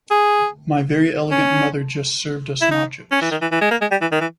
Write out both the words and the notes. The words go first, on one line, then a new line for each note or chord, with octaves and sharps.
My very elegant mother just served us nachos.
G#4
C#4
E4
D#4
C#4
E3
D#3
E3
E3
G#3
A#3
G#3
G3
E3
D#3
E3